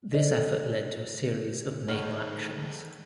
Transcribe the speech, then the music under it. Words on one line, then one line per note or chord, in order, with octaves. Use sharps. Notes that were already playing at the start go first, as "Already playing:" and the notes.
This effort led to a series of naval actions.
A4 C5 D5 D#5
E2 G#2 D3 D#3 A3 C#5 F#5 F6